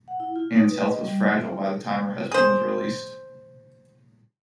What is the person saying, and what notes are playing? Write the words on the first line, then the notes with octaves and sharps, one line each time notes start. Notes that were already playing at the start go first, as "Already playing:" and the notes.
Ann's health was fragile by the time her husband was released.
F#5
E4
F4
D#4
B4
D#5
G3
E5
F4
G#4 C5